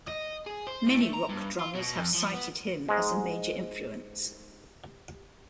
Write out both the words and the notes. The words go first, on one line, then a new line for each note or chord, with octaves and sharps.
Many rock drummers have cited him as a major influence.
D#5
G#4
C5
A2
A3
A#5
G2
F4
B2
F2
F3
B3
G#2 G#3